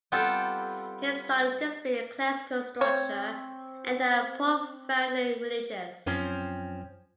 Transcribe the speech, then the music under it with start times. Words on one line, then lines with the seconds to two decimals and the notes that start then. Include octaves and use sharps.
His sonnets display a classical structure, and are profoundly religious.
0.12 G3 B3 C4 F4 G4 A4
2.81 C4 C#5
6.06 F#2 F3 C4 C#4